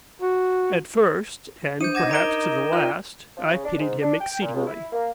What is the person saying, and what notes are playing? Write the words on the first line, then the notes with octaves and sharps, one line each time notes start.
At first, and perhaps to the last, I pitied him exceedingly.
F#4
E3 D4 C5 G6 D#7
D#4 F#5 D6 G#6 A#6 E7
A#4 A#5 D7 G7
F4 D5 F6
F3
C#3
D4
G#2
D4
G5
A#2
C#2
E4
A#3